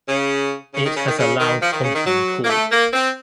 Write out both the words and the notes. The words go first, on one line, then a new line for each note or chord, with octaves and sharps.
It has a loud honking call.
C#3
C#3
D#3
C#3
D#3
C#3
D#3
F3
D#3
C#3
D#3
F#3
A#3
A3
A#3
C4